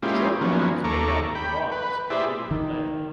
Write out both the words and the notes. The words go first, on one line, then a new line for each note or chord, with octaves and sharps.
The shortfall was made up with bronze and even lead.
G#3 A#3 C#4 E4 F4 G4
D#3 F3 F#3 A#3 B3 C#4
D#2 A4 A#5 C#6 D6
G5 B5
B4
E4 G4 G#4 C5 D5 E5
D#3